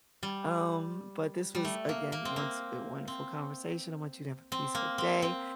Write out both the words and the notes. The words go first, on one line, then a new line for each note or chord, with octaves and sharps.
Um, but this was, again, once, a wonderful conversation. I want you to have a peaceful day,
G3
G3
A3
A#3
A#3
C4
A#3
C4
C4
A#3
C4
C4